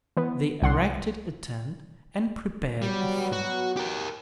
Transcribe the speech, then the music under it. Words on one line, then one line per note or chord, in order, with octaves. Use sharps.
They erected a tent and prepared a feast.
E3 B3
C2 F#5 C6
F#3 G3 B3
F#4
G4 A#4